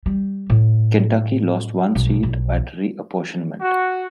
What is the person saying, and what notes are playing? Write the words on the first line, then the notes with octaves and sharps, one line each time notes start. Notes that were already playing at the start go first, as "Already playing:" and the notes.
Kentucky lost one seat at reapportionment.
G3
A2
B1
B1
F#4